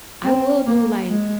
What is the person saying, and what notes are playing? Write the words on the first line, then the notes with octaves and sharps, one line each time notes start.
I will do, like,
C4
A#3
G#3